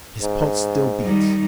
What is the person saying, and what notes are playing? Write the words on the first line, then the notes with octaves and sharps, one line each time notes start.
His pulse still beats.
G#2
D#3 G3 D#4